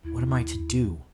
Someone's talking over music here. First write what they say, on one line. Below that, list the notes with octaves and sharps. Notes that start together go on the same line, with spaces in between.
"What am I to do?"
D#2 E4